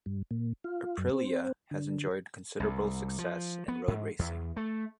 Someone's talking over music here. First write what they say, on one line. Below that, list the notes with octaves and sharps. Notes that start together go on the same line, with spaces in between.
Aprilia has enjoyed considerable success in road-racing.
G2
A#2
F4
F#2
C4
D3
C2
F3
B3
G#2
E2
A3